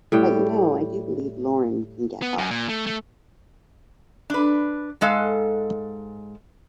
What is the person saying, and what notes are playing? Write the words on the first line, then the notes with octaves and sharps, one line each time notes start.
But, you know, I do believe Lauryn can get help.
A2 G3 G5
B3
F#2
A#2
A3
A3
D4 B4
G#2 G#3 A4 F5